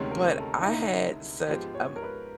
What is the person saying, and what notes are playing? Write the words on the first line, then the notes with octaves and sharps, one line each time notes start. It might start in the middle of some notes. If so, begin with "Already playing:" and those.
but I had such am
Already playing: D2 C3 D#3 G#3 C#4 A#4
A#4
A4
E4
D#4
G#2 F3 G#3 B3 G4
C#5
A#4
B4